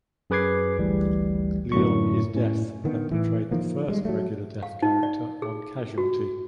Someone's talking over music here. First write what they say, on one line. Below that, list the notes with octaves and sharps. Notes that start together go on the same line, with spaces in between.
Leon is deaf and portrayed the first regular deaf character on "Casualty".
F#2 G#4 B4 D6 G#6 C7
G#1 D2 E3 G3
F#2 A2 D3 F#3 C#6
A2 C#4
D3 D#3 B3
A2 E3
D#3 F3 A#3
G3 G#3
F#3 A3
F5
D#4
D5
G#4
F#4